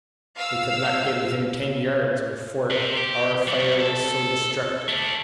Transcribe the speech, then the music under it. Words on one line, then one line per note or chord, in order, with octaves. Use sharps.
They could not get within ten yards of the fort, our fire was so destructive.
F5 E6
C3
G4
G3 F#4
A4
A3 D4